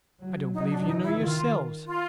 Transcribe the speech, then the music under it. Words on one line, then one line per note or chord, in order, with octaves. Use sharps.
I don't believe you know yourselves.
F#3
F#3 D#4
D4
E3 D#4
E4
D#3 F4
F4